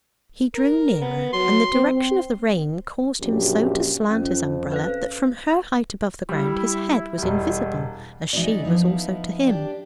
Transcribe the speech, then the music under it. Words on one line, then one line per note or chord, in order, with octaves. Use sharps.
He drew nearer, and the direction of the rain caused him so to slant his umbrella that from her height above the ground his head was invisible, as she was also to him.
A#4
B3
F#3 C6
C4
A#1 F#2 G4
F2 C#4
B4 C5 F5
G3 E4
E1 G3
E3 G#3 D#4 E4 F#4 D5
F3 B3 D#4 E4
D4 G4 D5